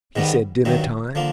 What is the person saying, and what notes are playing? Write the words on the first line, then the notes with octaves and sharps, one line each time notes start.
'He said dinner-time.'
G#2 D#3 G3 B3
G2 D#3 F#3
D3 F3 A#3